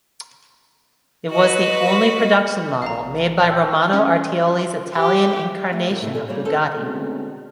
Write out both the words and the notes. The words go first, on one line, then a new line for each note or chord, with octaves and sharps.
It was the only production model made by Romano Artioli's Italian incarnation of Bugatti.
F#4 B4 D#5
A#1 F5 A#5
G5 E6 G6
C#4
G4
A3 F4
D3 D#3 F3 D4 D#4 A#4
A2 C3 G3 A3 E4
D#2 D3 G3 D#4 A4 G#5
G3 A#3 F#4 G#4 C5 C#5
C#4 A4 B4 C5 A5
B2 D3 G#3 A3 C4 C#4